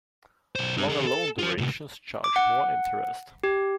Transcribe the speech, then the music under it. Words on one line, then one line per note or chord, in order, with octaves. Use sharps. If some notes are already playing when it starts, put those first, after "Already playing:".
Longer loan durations charge more interest.
B1 C5
G3 D4
D3 G#4
A4
F4 C5
A2 C3
D6
F#5
G4